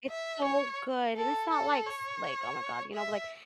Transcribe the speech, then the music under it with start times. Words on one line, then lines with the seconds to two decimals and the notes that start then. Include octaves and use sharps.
it's so good, and it's not like s like, oh my god, you know, but like like,
0.10 E5
0.44 C#5
1.16 A4
1.51 A4
1.86 C#5
2.93 E5